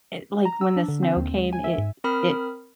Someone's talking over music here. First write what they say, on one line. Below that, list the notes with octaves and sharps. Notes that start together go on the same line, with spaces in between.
it like when the snow came, it it
A#5
E6
D4
D3
C4
D#2
G#3
G#5
E5
G#2
C4 A#4 B5 D#6 F6